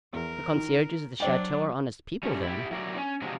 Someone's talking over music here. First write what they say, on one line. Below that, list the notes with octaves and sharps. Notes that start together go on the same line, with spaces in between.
"The concierges of the chateau are honest people, then?"
E2 A#4
D#3
F#3 D4 C5 D5 G5
G3 A3 C#4
E4 G4
F#3 E4 A#4 C#5 D5
C#4
C3 F3 F#3 G#3